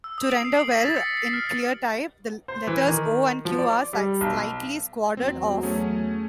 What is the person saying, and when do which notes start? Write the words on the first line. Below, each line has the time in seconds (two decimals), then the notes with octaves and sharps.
To render well in ClearType, the letters "O" and "Q" are slightly squared-off.
0.04 E6
0.18 D#6
0.30 D7
0.45 C7
0.59 F#7
0.71 B6
0.85 A6
0.97 C#7
1.17 C7
1.33 F6
1.47 A6
2.48 C5
2.67 E3
2.88 D#3
3.45 F3
3.58 D5
3.93 G3
4.21 B1
5.17 E2 F#3 C4
5.63 A3 C#4 G#4